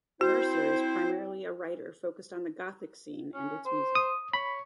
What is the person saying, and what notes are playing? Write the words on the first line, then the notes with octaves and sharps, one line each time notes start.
Mercer is primarily a writer focused on the gothic scene and its music.
C4 E4 F#4 C5
C#4
C5
D#6
C#5 B5